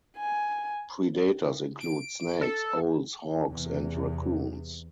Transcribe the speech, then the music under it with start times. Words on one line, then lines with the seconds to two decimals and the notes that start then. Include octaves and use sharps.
Predators include snakes, owls, hawks and raccoons.
0.18 G#5
1.81 D7
2.41 A4
3.51 E2 C3